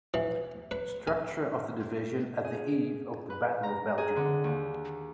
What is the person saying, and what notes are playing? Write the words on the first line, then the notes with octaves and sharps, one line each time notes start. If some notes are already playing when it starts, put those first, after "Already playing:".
Structure of the division at the eve of the Battle of Belgium.
E3
B4
G#5
G#4
B4
A#5
G#4
D3
D#2